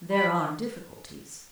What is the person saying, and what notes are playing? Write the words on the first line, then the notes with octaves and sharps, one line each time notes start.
There are difficulties.
B5